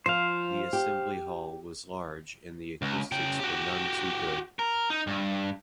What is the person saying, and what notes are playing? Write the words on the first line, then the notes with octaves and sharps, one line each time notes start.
The assembly hall was large and the acoustics were none too good.
F3 C5 F5
G4
C#2
C#3 G5
F#4 G4
A#4
D#4
G2